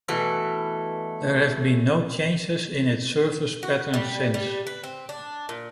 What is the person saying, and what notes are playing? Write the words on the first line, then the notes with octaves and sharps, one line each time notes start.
There have been no changes in its service pattern since.
B2 E3 A3
F#4
G3
G3
B4
C4
D4
A#2